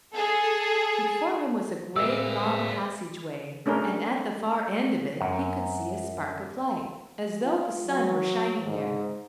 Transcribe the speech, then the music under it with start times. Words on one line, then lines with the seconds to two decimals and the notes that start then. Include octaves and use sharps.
Before him was a great long passageway, and at the far end of it he could see a spark of light as though the sun were shining there.
0.13 G#4 A4
1.96 C4 G#4 A#4 B4 D5 E5 F5 E6
3.66 A3 C#4 D4 G#4 A#4
5.21 F#2
7.41 F4
7.86 F#3
8.64 G#2